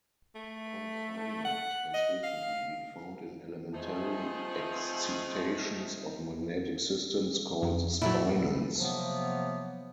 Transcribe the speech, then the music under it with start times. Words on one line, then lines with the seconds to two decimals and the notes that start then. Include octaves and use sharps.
Confinement has recently been found in elementary excitations of magnetic systems called spinons.
0.35 A3
1.45 F#5
1.94 D#5
2.23 F5
3.74 F3 A3 C4 D#4 G#4
7.62 F2
8.01 A#2 F#3 A3 E4
8.78 C3 F3 F#3 A#3 B3